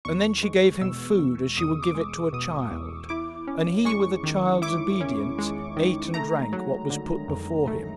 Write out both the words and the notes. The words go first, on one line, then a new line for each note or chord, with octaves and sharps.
And then she gave him food as she would give it to a child, and he with a child's obedience ate and drank what was put before him.
E2 C#6
G#3
B2 E6
E2
E2 D#6
D6
G#3
B2 D#6
E2
E4 D6
C#4
G#3 C#6
D#3
E4 D6
C#4
G#3
D#3
A3 A#5
F#3
D3
F2
A3